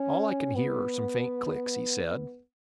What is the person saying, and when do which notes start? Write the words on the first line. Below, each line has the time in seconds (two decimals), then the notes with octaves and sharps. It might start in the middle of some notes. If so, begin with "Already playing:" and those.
"All I can hear are some faint clicks," he said.
Already playing: C#4
0.55 B3